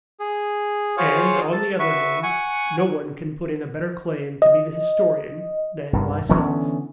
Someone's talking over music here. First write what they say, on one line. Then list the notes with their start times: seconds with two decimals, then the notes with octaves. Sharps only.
And, on the other hand, no one can put in a better claim to be the historian than myself.
0.20 G#4
0.97 F4 F#4 G#4 C5 C#5 F5
1.52 A4
1.79 F#4 B4 E5 C#6
2.23 F#5 G#5 C#6
4.42 D#5
5.93 C2 G2
6.29 D3 E3 B3 C#4